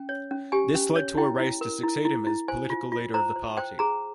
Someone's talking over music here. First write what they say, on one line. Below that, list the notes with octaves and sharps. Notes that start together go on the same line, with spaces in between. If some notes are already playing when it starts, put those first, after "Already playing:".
This led to a race to succeed him as Political Leader of the party.
Already playing: C#4 G5
C#5
C#4
G4 G#5
C#4
C#5
E4 G5
E4
A#4
E4
E4
E4
C5 G#5
F4
F4
C5 A#5
C5
C5 G5
G#4 A#5